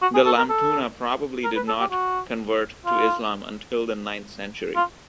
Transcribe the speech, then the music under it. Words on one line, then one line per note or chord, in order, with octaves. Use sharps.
The Lamtuna probably did not convert to Islam until the ninth century.
F#4
G#4
A4
A#4
A4
A#4
B4
A4
G4
F#4
F4
F4